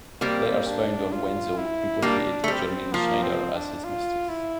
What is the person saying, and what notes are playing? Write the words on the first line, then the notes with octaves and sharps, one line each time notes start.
Letters found on Wenzel implicated Germaine Schneider as his mistress.
G3 A#3 C4
D4
F4
E4
G3 A#3 D4
A3
G3 C4
F3 A#3
C4
D4
F4
E4